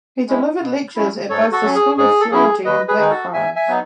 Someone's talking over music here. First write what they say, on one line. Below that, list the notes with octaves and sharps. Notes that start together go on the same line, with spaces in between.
He delivered lectures at both the School of Theology and Blackfriars.
G#3 C#4 E4
B2
F#3 C#4 E4
G#2 A4 C#5
F#4 A4
F#3 C#4
G#4
G#2 G#4
A4
F#3 C#4 E4 G#4
D#2 B4 D#5
G#4 B4
D#3 G#3 D#4 G#4
F#4 A4
G#2 E5 G#5
E5 G#5
F#3 B3 D#4